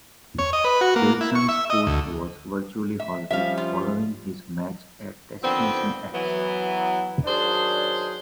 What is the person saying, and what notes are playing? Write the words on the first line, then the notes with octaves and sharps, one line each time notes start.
Wilson's push was virtually halted following his match at Destination X.
C#5
D#5
B4
F#4
A#3
E4
C#6
E5
D#5
D2
E5
F3 G3 C#4 E5 F5
F4
D3 D#3 F3 B3 C4
E3 F#3 B3
D#3 F#3 D4 G#4 C5